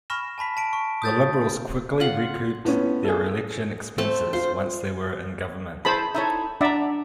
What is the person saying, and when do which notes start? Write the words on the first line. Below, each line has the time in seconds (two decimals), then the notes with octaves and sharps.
The Liberals quickly recouped their election expenses once they were in government.
0.10 G#5 B5 C#6 F6 A#6 E7
0.38 G#5 A5 B5 B6
0.57 A5 B6 D7
0.73 C#6
1.02 D#6 G6 A6
2.00 F4 F#5
2.65 A2 B3 C#4
3.04 G#4 A4
3.98 A3 C4 A5
4.33 F4 C5
5.85 E4 G#4 C5 A5 B5
6.15 D#4 E4 A4 C#5 E5
6.61 D4 D5 E5 F#5 A#5